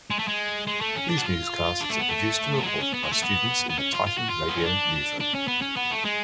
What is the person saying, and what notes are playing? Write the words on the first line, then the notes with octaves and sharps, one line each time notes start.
These newscasts are produced and reported by students in the Titan Radio newsroom.
G#3
A3
G#3
G#3
A3
C#4
D4
F#4
F4
D4
A3
B3
A3
F#3
G#3
C#4
B3
G#3
A3
B3
B3
C#4
F4
F4
F#4
F4
B3
C#4
D4
D4
C#4
B3
C#4
B3
A3
G#3